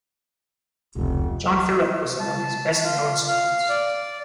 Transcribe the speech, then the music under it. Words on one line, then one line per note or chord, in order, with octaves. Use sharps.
John Phillip was among his best known students.
F1 C#2
A5
F4
F5
D5